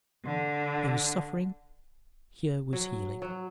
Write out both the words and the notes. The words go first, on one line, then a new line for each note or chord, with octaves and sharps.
There was suffering; here was healing.
D3
F#3
F#3